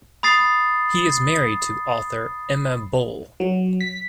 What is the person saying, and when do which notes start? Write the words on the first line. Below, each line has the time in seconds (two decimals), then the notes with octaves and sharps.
He is married to author Emma Bull.
0.23 B5 D#6 A6 C7
3.40 F#3
3.81 B6